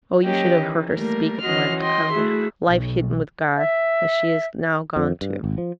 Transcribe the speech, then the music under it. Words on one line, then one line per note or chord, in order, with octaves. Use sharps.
Oh, you should have heard her speak of the life to come--the life hidden with God, that she is now gone to.'
F#3 A#3 C#4 G4 D#5
D#3 E3
G3 A3 A#3 A#4
E3 C#4 F#4 D#5 C6 F6
D#5 G5 C6
A3 E4 F#4 G#4 E5
B1
E5
F2
G2
G#1
F3